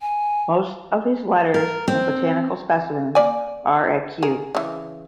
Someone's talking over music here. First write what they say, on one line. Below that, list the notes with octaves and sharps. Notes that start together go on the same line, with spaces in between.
Most of his letters and botanical specimens are at Kew.
G#5
A#4
C4
A#3 D5 G#5
G#4 A#4
C#3 E3